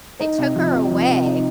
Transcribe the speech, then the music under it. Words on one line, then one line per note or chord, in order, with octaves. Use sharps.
They took her away,
D#4
C3
F3
C3
F3
C3
D#4